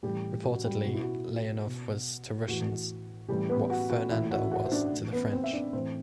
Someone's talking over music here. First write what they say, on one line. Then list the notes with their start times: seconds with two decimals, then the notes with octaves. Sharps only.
Reportedly, Leonov was to Russians what Fernandel was to the French.
0.03 A2 E3 G3 G4
0.44 F#4
0.64 G3 G4
0.85 B2 F#4
0.93 E4
1.00 F#4
1.66 B2
2.48 A2 E3 F#4
3.28 A2 E3 G3 G4
3.49 B3 B4
3.69 F#4 F#5
3.90 F#4 F#5
4.10 A2 E3 E4 E5
4.31 F#4 F#5
4.51 F#4 F#5
4.66 C5
4.72 D4 D5
4.92 A2 E3
5.12 B3 B4
5.32 C4 C5
5.44 E5
5.53 D4 D5
5.73 A2 E3 C4 C5